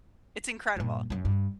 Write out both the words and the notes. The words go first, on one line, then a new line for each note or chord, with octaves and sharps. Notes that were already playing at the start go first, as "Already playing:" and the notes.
It's incredible.
G2 A#2
F#2 F#3
G2